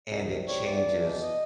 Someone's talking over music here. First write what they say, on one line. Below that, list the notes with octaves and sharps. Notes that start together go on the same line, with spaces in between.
and it changes
C2
C2
G3 C#5
E2 D5
E2
B2
D#5